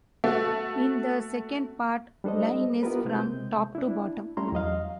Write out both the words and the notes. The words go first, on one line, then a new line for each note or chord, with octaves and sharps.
In the second part, line is from top to bottom.
A3 F#4
G3 D4 A4 C5 D#5
B3 E4 F4 G4 A#4 B4
C3 G#3 C4 G6
D4 E4
G3 A3 C#4 E4 A#5 C6
E2 F#3 D#5 F5